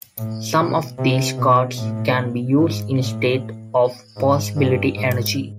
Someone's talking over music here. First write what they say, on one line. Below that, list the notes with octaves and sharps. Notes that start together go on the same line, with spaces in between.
Some of these cards can be used instead of Possibility energy.
A2
B2
C3
B2
A2
G#2
A2
G#2
G2
G#2